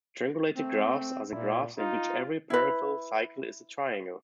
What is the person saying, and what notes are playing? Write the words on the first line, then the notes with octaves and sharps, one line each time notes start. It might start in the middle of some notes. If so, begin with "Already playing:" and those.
Strangulated graphs are the graphs in which every peripheral cycle is a triangle.
A3 C4
A#2 E4
D#4 F4
E4 B4